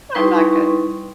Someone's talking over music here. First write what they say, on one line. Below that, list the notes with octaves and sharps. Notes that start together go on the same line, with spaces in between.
I'm not good.
G3 D#4 E4 B4 C6 C#6